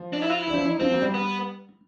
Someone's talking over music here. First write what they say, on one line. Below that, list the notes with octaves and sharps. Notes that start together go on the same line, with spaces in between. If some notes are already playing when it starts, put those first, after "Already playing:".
Rop the rameras!
Already playing: F3
D4
E4
F4
E4
E3
F3
E3
F3 C4
F#3
G3
B3